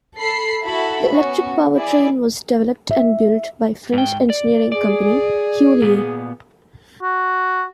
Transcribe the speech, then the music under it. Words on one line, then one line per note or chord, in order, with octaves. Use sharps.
The electric powertrain was developed and built by French engineering company Heuliez.
A4 B5 C7
E4 F#4 A4 E5 B5
B3 C#4 F#4
E4 G#4 D5
E5
G#2 G5
D5
G#4 D5
A#2 B3
F#4